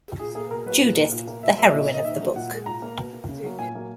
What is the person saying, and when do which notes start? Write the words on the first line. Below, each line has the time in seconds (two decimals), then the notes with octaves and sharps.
Judith, the heroine of the book.
0.19 A#2 G#4
0.35 A#3 G#4
0.51 B2 A#4
0.66 F#3 A#3 B4
0.82 A#2
0.97 A#3
1.12 A#2
1.27 A#3
1.43 B2 E5
1.58 F#3 A#3 E5
1.69 E5
1.74 A#2 D#5
1.89 A#3 D#5
2.04 D#3 E5
2.20 F#3 A#3
2.36 A#2 F#5
2.51 G#3
2.66 A#2 A#5
2.82 A#3
2.97 B2
3.13 A#3
3.28 C#3
3.43 F#3 A#3
3.59 A#2 G#5
3.74 F#3 A#3